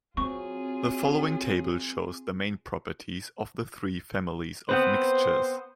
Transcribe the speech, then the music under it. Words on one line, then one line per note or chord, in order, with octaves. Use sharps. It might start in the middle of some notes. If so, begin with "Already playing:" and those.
The following table shows the main properties of the three families of mixtures.
F#3 C4 F4 G#4 C#6
B3 C4 B4 C5